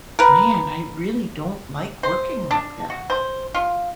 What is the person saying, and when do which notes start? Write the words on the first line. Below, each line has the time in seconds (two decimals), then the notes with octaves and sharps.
man! I really don't like working like that."
0.19 A#4 B4
2.03 C5
2.51 D4
2.90 F#4
3.10 C5
3.54 F4